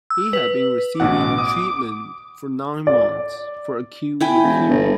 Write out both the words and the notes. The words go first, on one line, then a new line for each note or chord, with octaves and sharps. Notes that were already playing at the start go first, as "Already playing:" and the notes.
He had been receiving treatment for nine months for acute leukaemia.
E6
B4
A1 B2 F#5 D6
D#6
D5
E4 G5 G#5
E1
G1